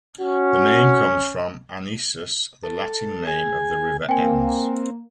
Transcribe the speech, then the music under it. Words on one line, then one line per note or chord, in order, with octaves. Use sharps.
The name comes from "Anisus", the Latin name of the river Enns.
C#4 F#4
A4
G#4 G#5
A#3 C4 G5 G#5